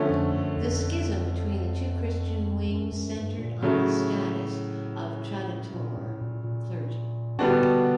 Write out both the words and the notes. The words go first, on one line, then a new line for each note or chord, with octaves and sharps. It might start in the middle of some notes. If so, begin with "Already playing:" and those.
The schism between the two Christian wings centered on the status of traditore clergy.
Already playing: D3 F3 A3 C#4
F2
F#2
F2
F#2
F#2
G2
A#2
A2 C#3 F#3 A3
A#2
A2
A#2
A#2
A2 D3 G3 B3 D4 F#4
B2